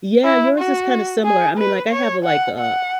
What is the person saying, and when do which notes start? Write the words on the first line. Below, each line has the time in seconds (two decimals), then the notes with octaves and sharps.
Yeah, yours is kinda similar. I mean, like, I have a like, uh
0.24 E4
0.58 F#4
1.25 G#4
1.58 B4
1.92 C#5
2.25 F#5
2.58 F#5